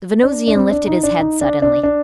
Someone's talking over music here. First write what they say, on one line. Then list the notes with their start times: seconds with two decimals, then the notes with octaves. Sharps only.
The Venusian lifted his head suddenly.
0.23 D4
0.48 D4
0.56 C4
0.71 D4
0.87 D#4
1.03 D4
1.20 D#4
1.41 D4
1.62 D4
1.83 D4